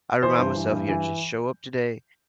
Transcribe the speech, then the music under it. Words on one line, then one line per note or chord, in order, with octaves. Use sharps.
I remind myself, you know, "Just show up today,"
E3 C5
G2
E3
G2
E3